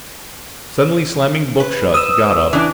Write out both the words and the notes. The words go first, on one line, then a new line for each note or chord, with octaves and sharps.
Suddenly slamming the book shut, he got up.
B4
D#6 E6
E3 D4